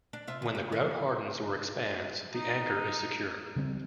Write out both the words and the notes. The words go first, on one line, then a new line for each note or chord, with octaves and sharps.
When the grout hardens or expands, the anchor is secure.
D4
C3 F4 E5
C3 D#3
G4
D#3 C#4 D#4
D#4
C#3 G3 C4